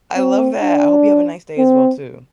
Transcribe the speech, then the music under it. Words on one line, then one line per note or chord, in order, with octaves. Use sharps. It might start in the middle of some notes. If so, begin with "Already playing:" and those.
I love that, I hope you have a nice day as well, too.
C4
D4
C4